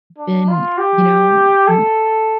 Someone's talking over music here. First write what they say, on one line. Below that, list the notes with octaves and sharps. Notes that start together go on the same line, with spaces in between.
been, you know, m
D4
F4
G4
A4